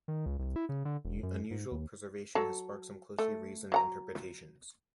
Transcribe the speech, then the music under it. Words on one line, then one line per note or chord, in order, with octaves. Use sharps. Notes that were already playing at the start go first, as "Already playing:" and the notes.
Unusual preservation has sparked some closely reasoned interpretations.
D#3
C#2
C2
E4
C#3
D3
E1
F#2
G#2
D#2
F#3 A4
A3
F#3 F#5 A#5